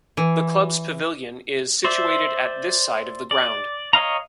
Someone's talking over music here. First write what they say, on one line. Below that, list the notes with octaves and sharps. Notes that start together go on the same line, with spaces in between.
The clubs pavilion is situated at this side of the ground.
E3
C5 D5 E5
D5
C#5 D#5 F5 A#5